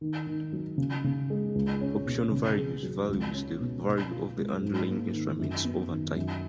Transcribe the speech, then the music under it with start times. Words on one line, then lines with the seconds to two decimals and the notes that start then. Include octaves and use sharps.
Option values vary with the value of the underlying instrument over time.
0.01 D#3
0.27 D#3
0.53 F#3
0.78 C#3
1.04 C#3
1.30 G#3
1.55 C#2
1.81 C#4
2.06 B2
2.32 C#3
2.58 G#4
2.83 F#3
3.09 C#2
3.34 C#4
3.60 B2
3.85 B2
4.11 F4
4.37 G#3
4.62 G#2
4.88 A#3
5.14 D#3
5.39 F#2
5.65 B3
5.91 D#3
6.16 F#2